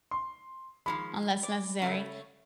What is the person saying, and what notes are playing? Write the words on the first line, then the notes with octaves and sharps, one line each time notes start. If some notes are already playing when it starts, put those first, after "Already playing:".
unless necessary,
C6
D#3 F3 G#3 B5
D5
C#3 A3 C#4